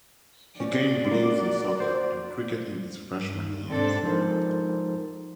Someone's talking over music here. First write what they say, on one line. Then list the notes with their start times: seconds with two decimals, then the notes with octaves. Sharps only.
He gained blues in soccer and cricket in his freshman year.
0.60 C#4 F#4 D5
1.11 A#3
1.80 C5
3.17 G2
3.68 G#2 C3 C4 D4 A4
4.03 F3 G#3 D#4 A4 A#4 C5